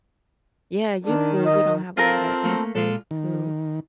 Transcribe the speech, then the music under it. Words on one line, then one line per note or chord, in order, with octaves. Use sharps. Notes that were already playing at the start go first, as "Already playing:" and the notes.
Yeah, YouTube, we don't have a lotta access to
D#3 D4
D#5
C4 F4 A4 A#4
A3 A#3
A#2 G#3 F4 A4
D#3